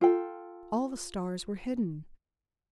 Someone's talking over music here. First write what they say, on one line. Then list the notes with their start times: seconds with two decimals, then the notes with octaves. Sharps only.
All the stars were hidden.
0.01 F4 A4 G5